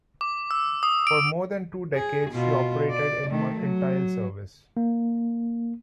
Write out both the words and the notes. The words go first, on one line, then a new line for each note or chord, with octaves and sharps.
For more than two decades, she operated in mercantile service.
D6
E6
D#6
D7
G#4
B2 F4
D5
D#3 A3
F#3
A#3